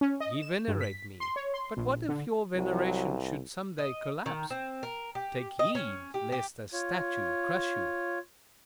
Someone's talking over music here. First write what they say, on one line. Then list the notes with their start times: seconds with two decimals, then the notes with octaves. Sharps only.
Ye venerate me; but what if your veneration should some day collapse? Take heed lest a statue crush you!
0.01 C#4
0.20 D#5
0.42 E7
0.68 G2
0.81 B6
1.20 C6
1.36 C#5
1.54 C6
1.77 A#1
2.09 D3
2.55 C2 F#3
3.78 D#5
4.26 D#3
4.50 C4
4.83 A#4
5.15 G4
5.59 D#5
5.75 C#4
6.14 G4
6.32 G4
6.73 F4 C#5